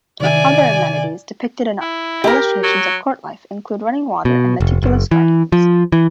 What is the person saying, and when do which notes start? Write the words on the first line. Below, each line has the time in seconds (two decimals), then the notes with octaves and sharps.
Other amenities depicted in illustrations of court life include running water and meticulous gardens.
0.20 C3 D#3 D5 E5 G#5
1.81 E4
2.24 G4 A#4
2.63 F#3
4.25 B2
4.60 F1
4.83 F#1
5.11 E3
5.52 F3
5.92 E3